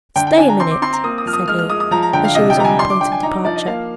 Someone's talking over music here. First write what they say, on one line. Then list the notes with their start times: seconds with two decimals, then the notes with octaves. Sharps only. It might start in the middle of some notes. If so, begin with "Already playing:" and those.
"Stay a minute," said he, as she was on the point of departure.
0.16 D3 G5
0.27 G5
0.38 D4 G#5
0.49 A#5
0.60 C4 C6
0.71 D6
0.82 C4 C6
0.93 A#5
1.04 A#3 D#6
1.18 D#6
1.26 F3 F6
1.33 D#6
1.48 G#3 F6
1.58 F6
1.69 G#3 D#6
1.80 D#6
1.91 F3 A#5
2.02 A#5
2.13 D3 G5
2.24 F5
2.35 C3 D#5
2.50 G5
2.57 G3 A#5
2.65 G#5
2.79 D4 C6
2.90 D6
3.01 D4 G5
3.12 G#5
3.23 D#4 A#5
3.45 F3 D5
3.56 D#5
3.67 A#3 F5